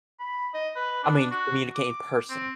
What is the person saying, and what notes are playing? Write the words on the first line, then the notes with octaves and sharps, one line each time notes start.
I mean, communicate in person
B5
D#5
B4
D4
F#4
D6
C4